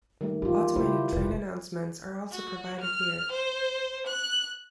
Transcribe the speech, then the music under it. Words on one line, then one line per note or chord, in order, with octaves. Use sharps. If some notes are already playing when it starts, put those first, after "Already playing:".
Automated train announcements are also provided here.
D#3 G3 A3
E3 F4 G4
C#3 D#4 E4 G4 C5
F1 C3 B4
F#4
F6
C5
F#6